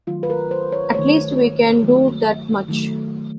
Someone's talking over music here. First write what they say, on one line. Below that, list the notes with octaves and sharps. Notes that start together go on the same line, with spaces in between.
At least we can do that much.
D#3 F#3 A3 F4
B4
A#4
C5
C#5
D#3 F#3 A3 C#5
D#3 F#3 A3
D#3 F#3 A3